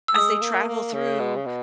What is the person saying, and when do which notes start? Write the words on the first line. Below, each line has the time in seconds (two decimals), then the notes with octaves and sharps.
as they travel through
0.08 E6
0.15 G#3 D#6
0.41 A#3
0.67 A#3
0.93 C#3
1.20 B2
1.36 C#3
1.46 B2